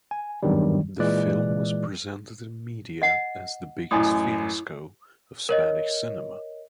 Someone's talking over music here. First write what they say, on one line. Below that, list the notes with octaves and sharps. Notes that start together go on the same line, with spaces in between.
The film was presented in media as "the biggest fiasco of Spanish cinema".
G#5
G#1 E2 G2 D#3 F#3 G3
A#2 E3 G#3 D5 F#6
D#5 F#5
A1 F#2 E4 D#6
A#4 C#5 D#5